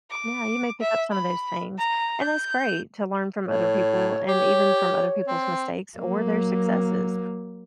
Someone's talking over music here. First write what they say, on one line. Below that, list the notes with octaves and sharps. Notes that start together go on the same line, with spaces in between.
Yeah, you may pick up some of those things. And that's great to learn from other people and even from other people's mistakes or their successes,
D6
E5
B5
A#5
G6
A2 C#5
G4
C4
F#3 A#3